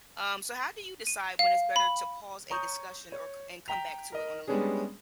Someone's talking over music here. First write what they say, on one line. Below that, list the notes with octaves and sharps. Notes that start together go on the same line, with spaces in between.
Um, so how do you decide when it's better to pause a discussion, or c and come back to it on a later date?
D#7
F5
B5
C#5 A#5 C#6 D#6 G6
C#5
G5 A#5 B6 F7
A#4 D#5
G3 G#3 B3 C#4 D4 G#4